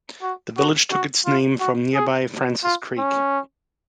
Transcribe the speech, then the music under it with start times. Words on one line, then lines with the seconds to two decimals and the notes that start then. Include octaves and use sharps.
The village took its name from nearby Francis Creek.
0.23 F#4
0.57 F#4
0.92 F#4
1.26 F4
1.60 F#4
1.95 G#4
2.64 F4
2.98 C#4